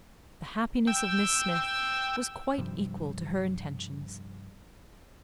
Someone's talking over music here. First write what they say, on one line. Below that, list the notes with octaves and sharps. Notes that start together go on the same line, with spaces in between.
The happiness of Miss Smith was quite equal to her intentions.
G5 E6
G2 C3 F3 G3